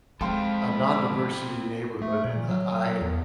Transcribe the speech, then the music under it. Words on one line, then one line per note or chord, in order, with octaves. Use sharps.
a non-diversity neighborhood, and, uh, I
G#3 C4 A4 F5 G5 B5 C6
A3
A#2
F#3
E2